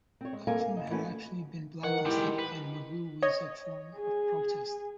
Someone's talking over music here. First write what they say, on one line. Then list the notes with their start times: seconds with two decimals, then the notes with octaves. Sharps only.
Kaufman had actually been blacklisted, and Magoo was a form of protest.
0.21 C4 C#5
0.33 G#3
0.47 A#3 A4 A#4 F5 G#5
0.60 F5
0.76 E2 D#5
0.90 E3 A3 C#4 F#4 B4
1.84 D#3 E3 F#5
2.05 G#3 E4 G4
2.39 B4
3.23 C#5 D#5
3.96 G#4